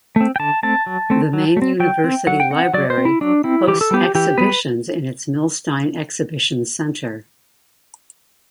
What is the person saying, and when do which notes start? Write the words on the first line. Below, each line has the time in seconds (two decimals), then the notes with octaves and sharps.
The main University Library hosts exhibitions in its Milstein Exhibition Centre.
0.16 A3 C4
0.36 G5
0.40 D3 A5
0.63 A3 C4 A5
0.86 F#3
1.10 A3 C4
1.33 F#3
1.57 A3
1.62 C4
1.80 F#3 G5
2.04 C4
2.27 F#3 F#5
2.40 G5
2.50 C4 F#5
2.74 F#3 D5
2.90 C5
2.98 C4
3.05 E4
3.21 F#3 D4
3.44 C4 E4
3.67 E3 G4
3.81 A4
3.91 G3 B3 G4
4.15 E3 G4
4.38 G3 B3 B4